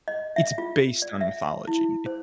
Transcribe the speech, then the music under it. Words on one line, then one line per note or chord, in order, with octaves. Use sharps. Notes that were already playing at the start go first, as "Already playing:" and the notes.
It's based on mythology, it's
D#5
E5
F4
D5
E5
E4
C5